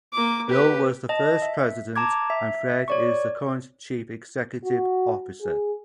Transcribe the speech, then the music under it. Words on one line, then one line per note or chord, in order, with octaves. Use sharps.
Bill was the first president and Fred is the current chief executive officer.
A#3 D6
G4 B4
D#5 A5
E5
A5 A#5 D6 G#6
E5
C#5 D5 C#6
F#4
G#4